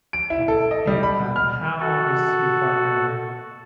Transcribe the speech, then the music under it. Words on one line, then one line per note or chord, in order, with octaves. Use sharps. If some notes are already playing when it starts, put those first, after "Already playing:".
Okay. And, um, how is your partner
D7
E4
A4
D#5
G3
B5
F6
F#4 A4